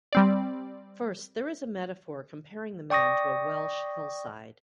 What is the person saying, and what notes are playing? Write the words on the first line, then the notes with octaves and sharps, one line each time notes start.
First, there is a metaphor comparing the man to a Welsh hillside.
G3 C4 D5
D5 G5 C#6 D#6 A#6